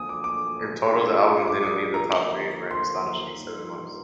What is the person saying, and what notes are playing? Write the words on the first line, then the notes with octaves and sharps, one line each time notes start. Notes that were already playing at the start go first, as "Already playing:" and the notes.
In total, the album didn't leave the top three for an astonishing seven months.
Already playing: D2 D3 F3 A#3 G#5 D#6
D6
D6
A#2 G#3 D4 F4
D6
D#6
A#5
D#2 D3 F3 A#3
C6
G2 F3 A#3 D#4